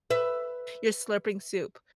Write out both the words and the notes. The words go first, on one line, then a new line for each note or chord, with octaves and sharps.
you're slurping soup,
B4 E5